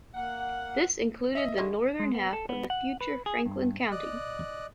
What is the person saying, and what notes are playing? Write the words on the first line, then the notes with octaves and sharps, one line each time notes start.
This included the northern half of the future Franklin County.
A#3 F#5
D#5 E5
D3 D#3 G#3
G#3
B3
A4
B3
F#5
B4
G#4
G2
D5 D#5 F#6